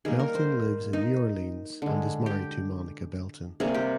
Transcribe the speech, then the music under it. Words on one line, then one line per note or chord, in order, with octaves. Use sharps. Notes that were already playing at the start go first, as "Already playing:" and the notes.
Belton lives in New Orleans and is married to Monica Belton.
D#3 G3 A#3 G#4
A#4
C5
D#4
D3 G#3
G4
C3 G3 A#3 G#4
G4